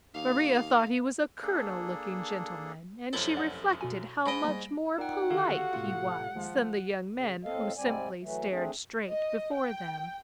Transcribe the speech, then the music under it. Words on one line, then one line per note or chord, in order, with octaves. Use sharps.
Maria thought he was a colonel-looking gentleman and she reflected how much more polite he was than the young men who simply stared straight before them.
D#2 F5
A#3 D4 G#4 A4
F1 F#2 E4 A4 C5
D5 F#5
B2 F#4 G#5
G#2 D#5 B5 A#6 D7
G3 A#3
D#4 F4 A#4 D5 F#5 G5
D3 D#3 F#4 G4 A4 F5
A2 C3 F4
D#2 F3 G#3
C#3
A2 C4 A4 D#5 F5
G#2 C3 G3 C4 D5 G#5
E3 F#3 A3
A3 C4 D4 G#4
D#5
G5